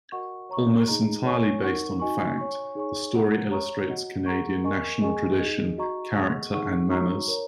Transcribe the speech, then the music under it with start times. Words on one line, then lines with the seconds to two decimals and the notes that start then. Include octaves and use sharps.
Almost entirely based on fact, the story illustrates Canadian national tradition, character and manners.
0.12 F#4 A#4 D#5 F#5 C#6
0.49 C#5 A#5 C#6
0.88 D#4 G#4 D#5 A#5
1.25 C#5 G#5 C#6
1.62 D#4 A#4 F#5 C#6
2.00 D#4 F#4 D#5 G#5 C#6
2.37 C#5 G#5 C#6
2.75 D#4 G#4 C#5 G#5 C#6
3.13 G#4 F#5 A#5
3.51 C#5 A#5 C#6
3.89 F#4 D#5 F#5
4.26 G#4 F#5 A#5 C#6
4.63 A#4 D#5 G#5 C#6
5.01 G#4 D#5 G#5 C#6
5.39 D#4 G#4 D#5
5.77 F#4 D#5 A#5 C#6
6.14 G#4 D#5 F#5 C#6
6.52 D#4 G#4 F#5 C#6
6.89 D#4 F#4 C#5 A#5 C#6
7.28 A#4 C#5 A#5